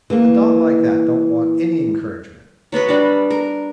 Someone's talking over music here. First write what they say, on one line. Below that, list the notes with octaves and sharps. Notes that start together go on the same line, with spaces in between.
A dog like that don't want any encouragement.
E3 A#3
F#3 B3 F#4 B4
G3 D4
A#4